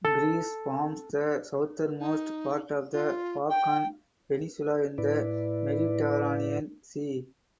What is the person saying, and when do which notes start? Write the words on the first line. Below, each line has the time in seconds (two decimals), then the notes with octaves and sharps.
Greece forms the southernmost part of the Balkan peninsula in the Mediterranean Sea.
0.05 A4
1.99 D#4
2.92 F4
3.49 G5
4.98 A2 E4 B4 D5